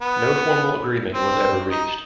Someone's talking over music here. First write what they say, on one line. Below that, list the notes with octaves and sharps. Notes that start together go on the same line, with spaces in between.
No formal agreement was ever reached.
B3
C4
D#4